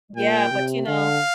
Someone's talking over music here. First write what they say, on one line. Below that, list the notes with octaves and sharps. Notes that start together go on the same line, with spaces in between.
Yeah, but, you know,
A#2 G5
C3
D3 F5